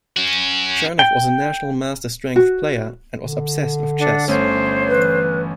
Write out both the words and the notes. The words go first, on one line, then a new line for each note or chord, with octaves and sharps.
Chernev was a national master strength player, and was obsessed with chess.
C#4 F#4
G5
F#4
D3
D4 A4 F#5
G1 A3 C#4 C5 C#5
E3 B4